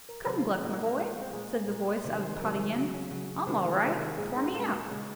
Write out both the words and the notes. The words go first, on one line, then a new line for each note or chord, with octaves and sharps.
"Come, Gluck, my boy," said the voice out of the pot again, "I'm all right; pour me out."
A#4
C3 D#3 F#3 F#4
F4
D#4
A#2 F3 G#3 A#3
A#3
A#3
A#2 F3 G#3
A#3
C4
A#2 G#3 G#4
A#2 G#3
C3 D#3 F#3 C5
C5
C3 D#3 F#3 A#4
G#4
C#3 F#3 F#4
C#4
C#3 F#3
C3 D#3 G#3 C5
C#5
C3 D#3 G#3 C5
C5
A#2 G#3 G#4
D#4
A#2 G#3 F4
F#4
G#4
C#3 G#3 C#5